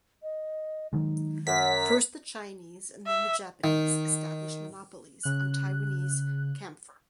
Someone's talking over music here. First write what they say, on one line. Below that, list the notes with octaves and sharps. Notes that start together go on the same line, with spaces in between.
First the Chinese and then the Japanese established monopolies on Taiwanese camphor.
D#5
D#3 F#3 G#3 D#4
F#2 F#5 B6
A#5
E5
D#3
C#3 F#6